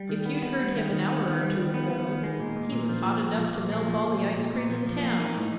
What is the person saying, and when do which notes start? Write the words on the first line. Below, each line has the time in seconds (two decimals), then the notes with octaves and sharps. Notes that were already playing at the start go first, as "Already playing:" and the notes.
If you'd heard him an hour or two ago, he was hot enough to melt all the ice-cream in town.
Already playing: G3
0.09 D#3
0.26 B3
0.43 B3
0.59 G3
0.75 D#3
0.91 D#3
1.08 B3
1.25 D#3
1.41 G3
1.57 D#3
1.74 B3
1.90 B3
2.07 D#3
2.24 G#3
2.40 A#2
2.56 A#2
2.72 A#2
2.89 F3
3.06 A#2
3.22 A#2
3.39 F3
3.55 A#2
3.72 G#3
3.88 F3
4.05 A#2
4.21 A#2
4.37 A#2
4.54 A#2
4.70 F3
4.87 F3
5.03 A#3
5.20 D#4
5.36 A2